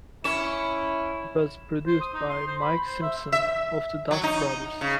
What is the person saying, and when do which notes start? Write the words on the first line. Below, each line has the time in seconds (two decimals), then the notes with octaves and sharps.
It was produced by Mike Simpson of the Dust Brothers.
0.24 C#4 E4 C#5 E7
1.87 C5
2.01 D#6
2.14 D#4
2.29 C6
2.47 C5
2.61 B5
2.87 C5
3.02 E5
3.32 E5
4.11 F#3
4.24 D#4
4.81 C#3